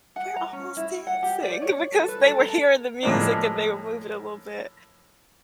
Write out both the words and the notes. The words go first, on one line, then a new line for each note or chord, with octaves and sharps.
"We're almost dancing" because they were hearing the music, and they were moving a little bit,
F#5
A#5
C#4
E4
F#5
G4
D5
C#5
A4
B4
A4
A#5
A2 F3 G#3 A#3 D4